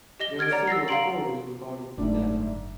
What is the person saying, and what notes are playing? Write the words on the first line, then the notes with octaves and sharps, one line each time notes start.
There are several stories regarding his death.
G4 D#5 A#6 G7
F6 G#6 A6 D7
G4 C#5 D5 F#5 A#5
E6 A6 A#6 C7
F5 F#5 A#5 C6 D7 F#7
F#1 G#2 D3 A3 D4 D5